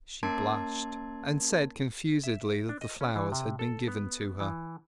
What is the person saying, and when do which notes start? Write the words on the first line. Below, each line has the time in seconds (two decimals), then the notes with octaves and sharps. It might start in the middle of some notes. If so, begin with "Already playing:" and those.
She blushed, and said confusedly that the flowers had been given to her.
0.23 A#3 C#4 A#4 A5 C6 G#6
2.24 E5
2.69 D4
2.81 D#5
3.01 C#4
3.16 E3
3.32 C3
3.59 A4
3.88 B3
4.40 E3